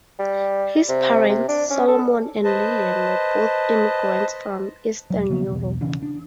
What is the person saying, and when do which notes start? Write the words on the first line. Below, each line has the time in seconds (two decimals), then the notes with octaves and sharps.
His parents, Solomon and Lillian, were both immigrants from Eastern Europe.
0.19 G3
0.89 C3
1.29 C3
1.48 D4
1.70 C#4
1.88 A4
2.44 B4 C5 D#5 A5
5.10 E1 F#3
5.30 C#3 F3 A#3 B3
5.47 B1 E2
5.81 C#3 E3 C#4 D4
6.03 D4